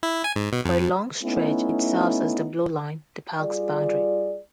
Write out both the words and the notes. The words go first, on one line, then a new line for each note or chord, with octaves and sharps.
For a long stretch it serves as the Blue Line, the park's boundary.
E4
G#5
G#2
B2
F2
A3 B3 C#4 D#4 E4
G3 F4 G#4 D5